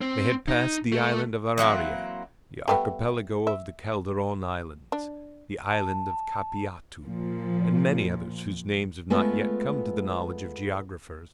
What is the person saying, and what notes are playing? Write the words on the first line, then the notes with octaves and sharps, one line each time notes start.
They had passed the island of Araria, the Archipelago of the Calderon islands, the island of Capiatu, and many others whose names have not yet come to the knowledge of geographers.
C4
D#4
A3
E3 F#3 A#3 C4
G3 A3 B3 A4 G5
E5
D4
A5
A#2 F3
G#3 A3 B3 F4